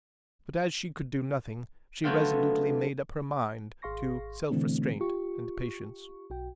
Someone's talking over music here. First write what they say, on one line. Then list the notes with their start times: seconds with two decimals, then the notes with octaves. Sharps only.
But as she could do nothing, she resolutely made up her mind to self-restraint and patience.
2.04 D3 F#3 A3 B3 F4 G5
3.82 G#1 G#4 F5 C6 C#6 A#6
4.50 B2 D3 E3 A3 C4 D4
5.01 F4 G4 C#6
6.30 B1 F#4 G5